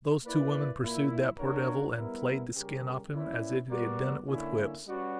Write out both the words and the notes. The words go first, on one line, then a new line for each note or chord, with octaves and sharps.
Those two women pursued that poor devil and flayed the skin off him as if they had done it with whips.
A#3 E4 B4 D5
A#2 A#3 E4
A#3 D4 F#4 A#4 C#5
G3 B3 E4 A#4
C#3 G3 C#4 G4 A#4
A#3 C#4 E4 B4 D5
G3 B3 F#4 A#4 D5
D3 A#3 C#4 E4
G3 C#4 F#4 B4 D5